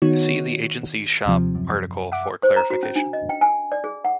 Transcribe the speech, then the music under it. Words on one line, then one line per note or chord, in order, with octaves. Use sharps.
See the Agency shop article for clarification.
D#3 B3 D#4 F#4 C#5
D#2 C3 F3
F#2
E5 F#5 D6
C5
A#5
F#4
C#4
D4
D#5
G5
G#5
D5
G#4
F#5